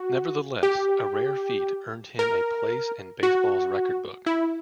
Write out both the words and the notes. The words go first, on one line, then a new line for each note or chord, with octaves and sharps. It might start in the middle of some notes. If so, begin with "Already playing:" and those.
Nevertheless, a rare feat earned him a place in baseball's record book.
Already playing: F#4
G4
A#4
F#4
E4